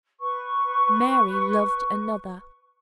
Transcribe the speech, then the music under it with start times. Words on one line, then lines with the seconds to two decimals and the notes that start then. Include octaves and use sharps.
Mary loved another!
0.21 B4 C#6